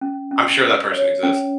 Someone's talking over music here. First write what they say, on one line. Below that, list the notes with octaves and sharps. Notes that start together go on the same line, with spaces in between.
I'm sure that person exists,
C#4
C#4
G4
C#5
C#4